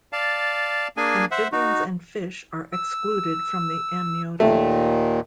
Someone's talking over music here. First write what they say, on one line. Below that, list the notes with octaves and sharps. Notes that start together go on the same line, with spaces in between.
Amphibians and fish are excluded from the amniota.
D5 F5 A5
A#3 D4 G#4 G#5
C5 E5 F#5
D#4 F#4
E6
D#2 A#2 D#3 A3